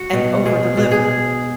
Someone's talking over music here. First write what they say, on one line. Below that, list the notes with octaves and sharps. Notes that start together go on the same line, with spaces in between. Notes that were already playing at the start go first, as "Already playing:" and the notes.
and overdeliver.
Already playing: F#4
B2
B2 G#4
B2
G#4